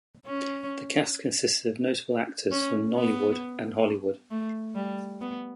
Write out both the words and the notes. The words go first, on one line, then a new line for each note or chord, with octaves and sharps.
The cast consisted of notable actors from Nollywood and Hollywood.
C#4
C#4
B3
A3
G3
B3